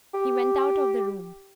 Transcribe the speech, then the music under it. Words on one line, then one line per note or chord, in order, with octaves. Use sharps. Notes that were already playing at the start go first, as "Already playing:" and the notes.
He went out of the room.
G4